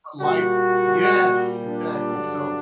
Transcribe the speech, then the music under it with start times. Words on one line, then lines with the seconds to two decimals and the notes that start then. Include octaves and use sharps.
l life Yes, exactly. So,
0.21 A#2 G3 F#4
1.17 A#2 G3
1.65 D4
2.13 G2 D3 F#3